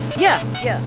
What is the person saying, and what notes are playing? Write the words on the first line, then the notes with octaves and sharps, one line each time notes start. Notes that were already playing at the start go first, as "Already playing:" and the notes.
Yeah, yeah.
Already playing: B2 A3 D4
D5
E5
D5
E5
F#5